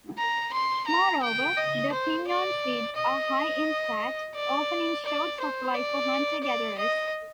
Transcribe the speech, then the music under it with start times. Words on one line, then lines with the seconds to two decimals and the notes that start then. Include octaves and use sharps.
Moreover, the pinyon seeds are high in fat, often in short supply for hunter-gatherers.
0.18 A#5
0.53 C6
0.88 A#5
1.23 G5
1.57 D#5
1.92 C5
2.27 D5
2.96 D#5
4.35 D5
5.05 D5
5.40 C5
5.74 D5
6.43 D5
6.78 D#5